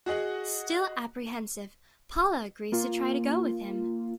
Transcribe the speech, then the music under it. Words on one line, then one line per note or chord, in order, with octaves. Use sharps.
Still apprehensive, Paula agrees to try to go with him.
F#4 G#4 D#5 F#5
A#3 F4